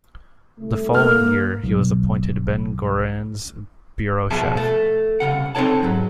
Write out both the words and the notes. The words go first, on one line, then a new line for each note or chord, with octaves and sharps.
The following year he was appointed Ben-Gurion's bureau chief.
C2 A3
A#3 F6
B1
B2 F3 G#4 E5 F#5 A5
A3
C2 G2 C#3 F#5
C4 D#4 A4 C#5 A5
G#2 F#3